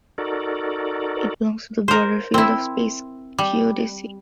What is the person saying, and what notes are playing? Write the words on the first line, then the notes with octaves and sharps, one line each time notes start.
It belongs to the broader field of space geodesy.
D#4 F#4 A4 A#4 D5
A#4 C5
C4 E4
G3